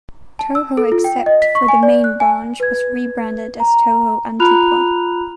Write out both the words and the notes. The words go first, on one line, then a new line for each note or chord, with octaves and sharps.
Toho except for the main branch was rebranded as Toho Antigua.
A5
E6
A4
F4
G5
D#5
B6
C#6
G#5
D5
F#6
G#5
B4 G#6
A#5
F4 A#5 B5 F6 F#6 F7